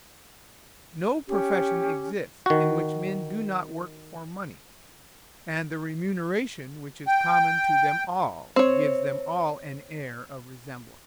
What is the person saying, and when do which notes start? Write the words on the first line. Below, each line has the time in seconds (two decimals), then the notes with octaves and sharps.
No profession exists in which men do not work for money; and the remuneration which is common to them all gives them all an air of resemblance.
1.29 C#4 G4
2.46 D#3 F#4
7.07 G5
8.56 C4 C#5